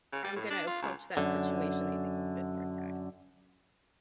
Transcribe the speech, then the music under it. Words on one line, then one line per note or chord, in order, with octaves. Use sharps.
I'm gonna approach that situation, I think, a bit more tact
C#3
G3
A2
D4
F4
C#2
F#2 D3